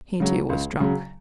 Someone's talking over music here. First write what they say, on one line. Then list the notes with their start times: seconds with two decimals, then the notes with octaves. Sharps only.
He too was drunk.
0.20 C#3 F#3
0.49 C#2
0.80 C#3 F#3